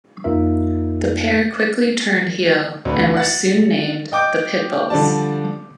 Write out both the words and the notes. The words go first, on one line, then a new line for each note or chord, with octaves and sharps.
The pair quickly turned heel and were soon named "The Pitbulls".
F2 A#3 D#4 F4 A#4 E5
D2 D4 B4
F#5 A6
D#5 G5 D6 G6 D7
D3 F3 G3 D5 A5